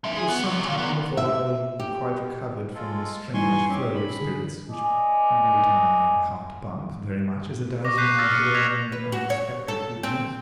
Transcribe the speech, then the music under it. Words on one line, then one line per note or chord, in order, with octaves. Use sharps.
It was some time before I quite recovered from a strange flurry of spirits, which made my heart bump very much as it does when I hear any unexpected good news.
G#3 E5
G#4
B3
C3 F#3
A#2 F4
C3 B3
E5
G4
G#3 F4 A4
E3 G3 D#4 G#5 C6 C#6
C4 C#4 G4
B5
D3 G#4
D5 D#5 G#5
C#6 D6 A#6
F#6 G6 B6 C7 D#7
E6 F6 A6 A#6
F6 G6 C#7
E6 G#6 A#6 B6 E7 F7
B4
F#4
C#5
A4
C4